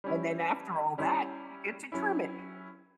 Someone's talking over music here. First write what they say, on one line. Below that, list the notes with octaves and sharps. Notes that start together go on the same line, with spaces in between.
And then, after all that, you get to trim it.
G3 C#4 E4
G3 C#4 E4
F#3 C#4 E4